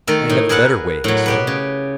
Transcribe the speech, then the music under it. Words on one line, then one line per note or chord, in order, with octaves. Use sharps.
"I have a better way," he said.
D#3 A3 A4 A#4
A2 D#4
G#4 A#4 B4 E5 F#5 A5
A2 F#3
B2 G4 B4
C#3